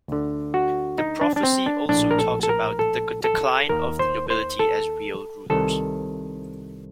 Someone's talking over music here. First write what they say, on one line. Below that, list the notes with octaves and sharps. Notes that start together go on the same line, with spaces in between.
The prophecy also talks about the decline of the nobility as real rulers.
D2 D3
F#4
D#4
D4
D4
C4
D4
A#1 A2 D4
A#4
A4
A4
A#4
A4
A4
D#2 D#3 A#4
C5
C5
A4
C2 C3 D#3 A4